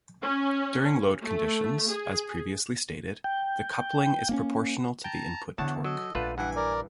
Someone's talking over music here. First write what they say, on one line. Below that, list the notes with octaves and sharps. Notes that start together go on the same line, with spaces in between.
During load conditions, as previously stated, the coupling is proportional to the input torque.
C#4
A3
G#4
G5
A#3 C4 C#4
G5 A5 A#5
E2 D3 B3 C#5 F#5 A5
F#3 A4 D#5
A#1 A3 F4 B4 D5 F#5
G2 E3 F#5 G#5
A#4 D5